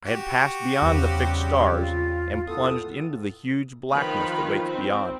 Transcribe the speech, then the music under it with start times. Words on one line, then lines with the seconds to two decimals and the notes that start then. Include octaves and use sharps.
I had passed beyond the fixed stars and plunged into the huge blackness that waits beyond.
0.06 F#4 G4
0.82 E2 C#3 G3 C4
1.77 F4
2.47 A2 B3 A4 D#6
3.92 D#3 F3 F4 B4 B5
4.64 C4